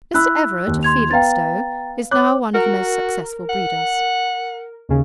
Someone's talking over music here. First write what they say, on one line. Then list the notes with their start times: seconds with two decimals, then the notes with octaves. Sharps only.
Mr. Everett, of Felixstowe, is now one of the most successful breeders.
0.14 E4 B5 E6 F#6
0.67 D#2
0.83 C6 G#6 F7
1.11 B3 F5 G5 A#5 A6
2.11 C#5 D6 F#6
2.54 F#4 A#4
3.49 F#5
4.89 D#2 C#3